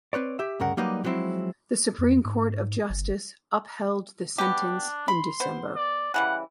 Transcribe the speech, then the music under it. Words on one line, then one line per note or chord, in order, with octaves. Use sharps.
The Supreme Court of Justice upheld the sentence in December.
C4 B4 C#5 D5
G4 E5
D2 G2 C#3 A#4 F#5
F#3 G3 A#3 D#4 G4 B4
F3 F#3 G#3 C4 E4
F2
G#2
G1
B3 D4 G4
B5 C6
B3 C5
D5
C#3 E3 G3 F#5